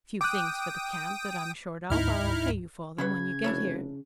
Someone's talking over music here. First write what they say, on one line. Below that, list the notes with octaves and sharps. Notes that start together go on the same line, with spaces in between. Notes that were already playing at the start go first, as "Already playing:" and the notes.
A few things for the camp that I'm short of; I'll pay you for them when you get here.
G5 D6 D#6 F#6
D2 G#2 D#4 E4 F6
C#3 B4 F#5 B5 G#6
F1 D4 E4 C#5